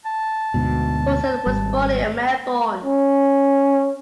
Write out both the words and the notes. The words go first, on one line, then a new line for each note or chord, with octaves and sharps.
Poulsen was born in Melbourne.
A5
D2 G#2 B2
G#1 G3
C#4